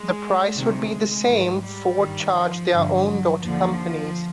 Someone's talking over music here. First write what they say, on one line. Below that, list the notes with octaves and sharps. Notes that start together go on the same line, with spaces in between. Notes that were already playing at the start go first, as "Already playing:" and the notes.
The price would be the same Ford charged their own daughter companies.
Already playing: G#3
D2 C3 D#3 G#3
G#2 E3
G3
G2 D#3
F3
G2 D3
F#3
D#2 D3 F3